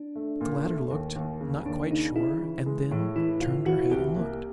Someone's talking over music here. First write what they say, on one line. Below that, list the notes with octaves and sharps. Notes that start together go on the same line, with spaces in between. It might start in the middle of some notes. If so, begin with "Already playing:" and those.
The latter looked, not quite sure, and then turned her head and looked.
Already playing: D4
A3
A#2
A3
D#2
D#2
C#3
D#2 D4
C#3 D#4
C#3 E4
E3
G#3
A2
E3 E4
A2 F4
E3 F#4
C2 G4
A#3